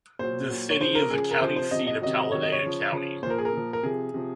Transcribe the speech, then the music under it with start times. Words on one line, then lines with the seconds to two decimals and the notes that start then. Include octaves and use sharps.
The city is the county seat of Talladega County.
0.19 A#2 F#3 C5
0.50 A#2 F#3
0.70 C#5
0.80 C#3 F3 C5
0.95 A#4
1.11 C#3 F3 G#4
1.31 A#4
1.41 C3 F3 C5
1.56 C5
1.71 C3 D#5
1.75 F3
1.87 D#5
2.02 C3 D#3 F#3 D#5
2.32 C3 D#3 F#3 C#5
2.43 D#5
2.52 C#5
2.62 C#3 F3
2.92 C#3 F3
3.23 A#2 C5
3.26 F3 A#4
3.38 G#4
3.45 A#4
3.53 A#2 F3
3.73 A#4
3.83 C3 F3 G#4
4.14 C3 F3